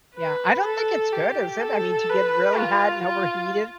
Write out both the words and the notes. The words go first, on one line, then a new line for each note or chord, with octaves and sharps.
Yeah. I don't think it's good, is it? I mean, to get really hot and overheated,
B4
A4
G4
A4
B4
F4
F4